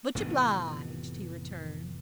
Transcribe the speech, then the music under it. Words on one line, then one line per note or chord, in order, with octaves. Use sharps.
"Much obliged," he returned.
F1 A2 E3 B3